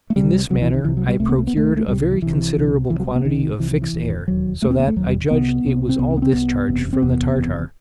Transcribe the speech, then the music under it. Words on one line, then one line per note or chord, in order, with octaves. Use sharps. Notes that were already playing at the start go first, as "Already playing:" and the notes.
In this manner I procured a very considerable quantity of fixed air, so that I judged it was all discharged from the tartar.
A3
C2 C3 G3
C2 C3 F#3
E3
D#3
C2 C3 E3
F#3
G3
C2 C3 A3
B3
A3
B3
C2 C3 A3
A3
C2 C3 G3
E3
C2 C3 E3
C2 C3
C2 C3 E3
F#3
G3
B3
C2 C3 D#3
C2 C3 E3
E3
E3
E1 D#2
E1 D#2 F#3
E1 D#2 A3
C4
B3
A3
E1 D#2 F#3
G3
C2 C3 B3
C2 C3
C4
C2 C3 B3
C4
B3
C4
C2 C3 B3
F#1 E2 C3
C4
F#1 E2 C3 B3
F#1 E2 C3